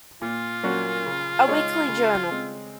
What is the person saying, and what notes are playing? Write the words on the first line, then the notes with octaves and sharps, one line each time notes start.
A Weekly Journal.
A#2 F4
F#3 A#3 C#4 F#4
C#3
G#3 D#4 G#4 C#5
C#3
G#3 C4